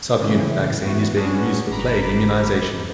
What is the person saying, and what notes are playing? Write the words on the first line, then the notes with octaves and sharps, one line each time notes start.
Subunit vaccine is being used for plague immunization.
A2 C#3 E3
E3 B3 F#4
C#4 D4 F#4 G#4 B4
G1 A#5 B5 D6